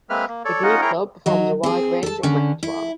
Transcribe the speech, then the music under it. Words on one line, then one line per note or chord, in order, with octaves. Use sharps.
The Glee Club performs a wide range of repertoire.
G#3 A#3 C4 B4 E5 F6
A#3
A4 C#5 D5
C#4 D#4 F4 D#5 F#5
E4 G#4 A#4 C#5 G5 A#5
F#3 D#4
C4 G#4
A4 A5
D3 C#4
E4